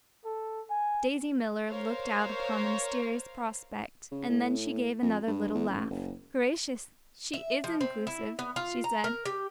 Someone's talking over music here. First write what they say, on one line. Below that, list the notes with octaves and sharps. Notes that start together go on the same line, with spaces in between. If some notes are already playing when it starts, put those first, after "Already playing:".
Daisy Miller looked out upon the mysterious prospect and then she gave another little laugh. "Gracious! she IS exclusive!" she said.
A4
G#5
A#4 C5 C#5 F5
C#3
A2
F2
G2
E2
A1
F#1
E5
F3
C4
E4
B3
F4
A#5
A#4
G4